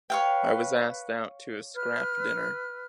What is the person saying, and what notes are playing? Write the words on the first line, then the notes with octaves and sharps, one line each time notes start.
I was asked out to a scrap dinner.
B4 C#5 F5 G5
B4 F6